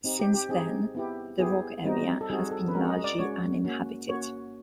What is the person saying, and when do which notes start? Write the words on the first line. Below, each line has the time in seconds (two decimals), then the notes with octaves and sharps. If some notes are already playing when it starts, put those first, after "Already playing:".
Since then, the Rog area has been largely uninhabited.
0.04 C4 D#4 G4
0.19 G4
0.34 G4
0.49 C4 D#4 G4 G#4
0.95 B3 E4 G4
1.39 B3 E4 G4 G#4
1.85 G3 C4 D#4 F#4
2.21 A4
2.30 G3 C4 D#4 F#4 G#4
2.51 A4
2.68 B4
2.74 G#3 C#4 F#4 A#4
2.89 D#5
3.04 D5
3.19 G#3 C#4 F#4 C#5
3.64 A#3 C#4 F#4
4.08 A#3 C#4 F#4 C#5